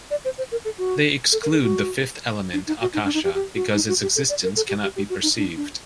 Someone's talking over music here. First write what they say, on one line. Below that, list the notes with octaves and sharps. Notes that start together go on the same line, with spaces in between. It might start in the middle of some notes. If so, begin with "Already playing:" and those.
They exclude the fifth element, Akasha, because its existence cannot be perceived.
D5
C5
C5
A#4
A4
F#4
A4
A#4
A4
F#4
D4
D#4
F#4
D#4
D4
D#4
G4
G4
F#4
D#4
F#4
G4
A4
D5
A#4
A4
G4
G4
G4
F#4
D#4
D4
D4